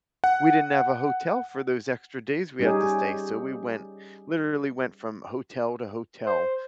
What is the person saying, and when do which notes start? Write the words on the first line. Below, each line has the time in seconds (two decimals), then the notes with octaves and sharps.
we didn't have a hotel for those extra days we had to stay, so we went literally went from hotel to hotel,
0.24 F#5
2.60 G3 C#4 D#4 G4 G#4
6.25 C5